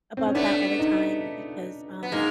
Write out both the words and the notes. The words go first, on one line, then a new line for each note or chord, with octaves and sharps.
about that all the time because, um,
C4
C#4
A3 B3 D4
D#4
B3
G#3 A#3 D#4